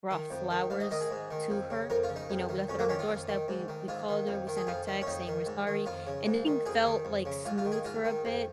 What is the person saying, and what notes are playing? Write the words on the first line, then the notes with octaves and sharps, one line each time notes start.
brought flowers to her. You know, we left it on her doorstep, we we called her, we sent her texts saying we're sorry. And everything felt, like, smooth for a bit
D#3
F2
D#3
G#2 F5
D#5
D#3 D#5
G#4
G#2
D#3
F2
C#3
F2 A#4
F4
C#3
D#4
F2
D#3
F2 C#4
A#3
D#3 C#4
F4
F2
D#3
G#2
D#3
G#2 F4
D#3
F2
D#3
G#4
F2 F4
D#3
C#4
F2 D#4
D#3
G#2
D#3
F2 F4
C#3
G#2
D#3
F2 G#4
D#3
F2
C#3
G#2 F4
F4
D#3
G#4
G#2 F4
D#3
F2